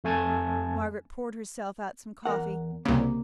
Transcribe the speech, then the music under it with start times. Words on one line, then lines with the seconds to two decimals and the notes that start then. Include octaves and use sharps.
Margaret poured herself out some coffee.
0.04 F2 A3 G#5 A5 G#6
2.26 E2 A#4 F#5
2.85 C2 C#3 A#3